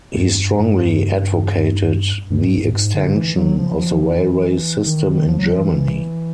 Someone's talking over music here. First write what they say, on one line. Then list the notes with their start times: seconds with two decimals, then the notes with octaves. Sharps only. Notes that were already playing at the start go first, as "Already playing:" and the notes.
He strongly advocated the extension of the railway system in Germany.
0.17 G2
0.60 G2
2.30 G2
2.44 G#2
2.58 G2
2.67 A2
2.73 G#2
2.94 D3
3.15 E3
3.37 F#3
3.58 F3
3.79 F3
4.01 E3
4.86 D#3
5.07 D#3
5.28 F3
5.39 F#3
5.49 F3
5.60 E3